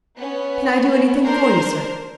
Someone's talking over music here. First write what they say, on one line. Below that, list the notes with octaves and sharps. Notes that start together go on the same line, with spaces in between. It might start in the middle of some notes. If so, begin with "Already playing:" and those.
"Can I do anything for you, sir?"
B3 C#4
D4 A#4 C5